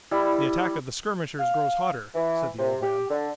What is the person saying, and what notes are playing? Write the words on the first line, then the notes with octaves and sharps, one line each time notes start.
"The attack of the skirmishers grows hotter," said the old man.
G3 E4
F5
E3
C3
G4
D3